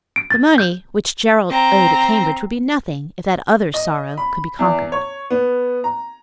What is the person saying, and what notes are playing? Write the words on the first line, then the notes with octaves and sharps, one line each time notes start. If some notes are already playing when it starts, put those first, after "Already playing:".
The money which Gerald owed at Cambridge would be nothing if that other sorrow could be conquered.
D7
A6
G6
C4 A#5
D#5
B5
E2
C#5
B3
A#5